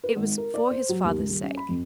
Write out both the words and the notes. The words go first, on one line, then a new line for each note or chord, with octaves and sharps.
It was for his father's sake.
B4
G#1
A#4
D5
C5
F#3
D#2
C#2
D#1
C#4
B5
F2